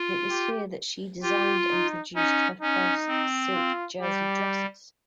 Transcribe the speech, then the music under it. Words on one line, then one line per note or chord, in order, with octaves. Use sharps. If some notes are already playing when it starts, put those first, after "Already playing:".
It was here that she designed and produced her first silk jersey dresses.
Already playing: F4
G4
F4 G4
D#4
C#4 D#4
C#4 D#4
C4
F4
G3 G4